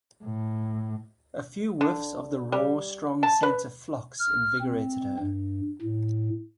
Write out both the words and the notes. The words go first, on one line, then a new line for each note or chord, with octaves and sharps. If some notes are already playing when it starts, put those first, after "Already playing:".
A few whiffs of the raw, strong scent of phlox invigorated her.
A2
D3
G3
A5
B4
F6
C4
G2
A2